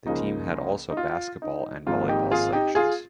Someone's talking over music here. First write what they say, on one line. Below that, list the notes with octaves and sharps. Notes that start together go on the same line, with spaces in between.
The team had also basketball and volleyball sections.
C#2 C#3 F3 A#3 D#4
D#4
F4
D#4
G#1 G#2 F3 A#3 F4
D#4 G4
F4 G#4
D#4 G4
F4 G#4